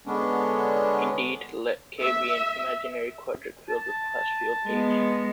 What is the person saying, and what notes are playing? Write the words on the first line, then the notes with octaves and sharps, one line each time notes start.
Indeed, let "K" be an imaginary quadratic field with class field "H".
D3 G#3 B3 C#4 D4
E5
A5
G#3 B3